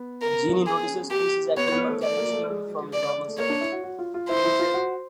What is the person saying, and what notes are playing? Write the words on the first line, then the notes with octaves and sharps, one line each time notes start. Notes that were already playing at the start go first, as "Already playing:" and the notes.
Jeannie notices Chris is acting uncharacteristic from his normal self.
Already playing: B3
A#4
G#4
G4
B3 C#5
B3
A3
A3 D5
A#3
A3
G#3
D5
A3
A#3 C#5
D4
E4
F#4
F#4
F4
F4
E4 C5
E4
F4
F#4